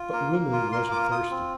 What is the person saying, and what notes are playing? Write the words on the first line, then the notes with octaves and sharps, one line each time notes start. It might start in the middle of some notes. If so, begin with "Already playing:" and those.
But Wimley wasn't thirsty.
Already playing: F4
A#3
A#3
F4
A#3 C6
F4 D6
F4 D#6
C4